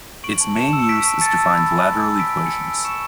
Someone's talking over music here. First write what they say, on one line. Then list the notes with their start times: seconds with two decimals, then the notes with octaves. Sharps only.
Its main use is to find lateral equations.
0.24 C#6 D7 F#7
0.40 A5
0.56 A5 C#7 E7
0.73 E6
0.79 C#7
0.89 C#6 B6 D7
1.05 A5
1.21 A5 A6 C#7
1.38 E6
1.54 B5
1.71 G#5
1.87 G#5
2.03 E6
2.19 B5 B6 D7
2.36 G#5
2.46 C#7
2.52 G#5 B6 D7
2.68 E6
2.84 C#6 C#7 E7